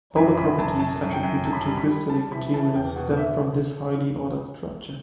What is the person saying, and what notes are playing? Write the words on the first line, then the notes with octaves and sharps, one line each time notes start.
All the properties attributed to crystalline materials stem from this highly ordered structure.
F#2 B5
E3 B5
F#2 A5
F#2 A5
F#2
G5
F#2
F#2 A5
B5
A5
G3
B5
G3
G3 A5
E3 B5
E3 A5
E2 G5
B2 F#5
E5